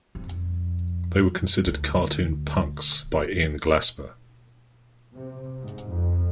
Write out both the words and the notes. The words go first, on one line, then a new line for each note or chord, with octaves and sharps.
They were considered "cartoon punks" by Ian Glasper.
F2
D2
C3
G#2
F2